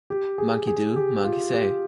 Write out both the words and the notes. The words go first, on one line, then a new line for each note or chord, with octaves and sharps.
Monkey do, monkey say.
G4
G#4
G#4
G4
F4
G4